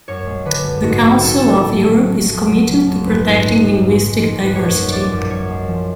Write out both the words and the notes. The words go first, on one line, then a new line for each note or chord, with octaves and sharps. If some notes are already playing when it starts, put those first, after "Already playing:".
The Council of Europe is committed to protecting linguistic diversity.
F#2 C#5
G#3
D3 B4
F#2
G#2 F#4
G#2 G#4
F#3 A4
F#3 A4
A2
A2
F#3
F#3
F2
F#3
C#3
F2
G#2 B4
G#2
G#3
G#3
G#2
G#3
F3
G#2
B4
F#2 C#5
G#3
F3 D5
F#2
F#2 C#5
G#3
F3